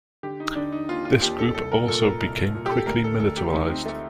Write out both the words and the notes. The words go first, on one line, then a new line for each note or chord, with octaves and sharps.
This group also became quickly militarized.
D3 G4
D#4
D3 D4
D#4
D#2 F4
F4
D#2 G4
A4
C2 A4
A#4
A#2 A4
A#4
C2 A#4
A#2
G4
A4
D2 A#4
A4
D2 A4
G4
D2 D#4
C4
A3